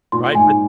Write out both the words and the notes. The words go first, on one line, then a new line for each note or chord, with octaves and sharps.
Right? But
A#2 C6
G#2 G#5